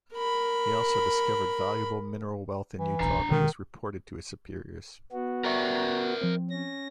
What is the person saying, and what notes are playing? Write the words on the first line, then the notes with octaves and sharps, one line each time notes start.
He also discovered valuable mineral wealth in Utah that was reported to his superiors.
A#4 B5
E3
D1 B1 D4 A#5
B2 D3 D#3 G#3
B3 F#4
A#4 D5 E5 A#5 C#6 A#6
F3 C4
C#4 A#6